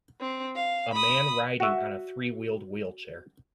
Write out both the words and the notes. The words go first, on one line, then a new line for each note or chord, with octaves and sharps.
A man riding on a threewheeled wheelchair.
C4
F5
B5 D#6
F#4 E5